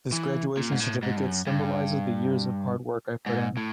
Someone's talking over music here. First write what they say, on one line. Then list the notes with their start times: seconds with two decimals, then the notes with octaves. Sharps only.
This graduation certificate symbolizes the years of hard work I put in.
0.12 E3
0.57 A#2
0.72 G#2
0.80 A2
1.03 G#2
1.16 G2
1.25 F#2
1.47 G2
3.26 G#2
3.57 A2